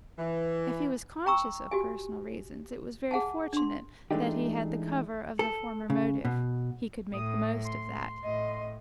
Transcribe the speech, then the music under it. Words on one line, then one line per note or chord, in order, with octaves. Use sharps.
If he was conscious of personal reasons it was very fortunate that he had the cover of the former motive; he could make the most of that.
E3
G5 A#5 C#6 E6
F#4 G4 G#5
G#4 F#5 G#5 A5
D4 C6
E3 G#3 A3 D4 D#4 G4
A4
C#3
B2
A2 D#6
C6
A2 D#5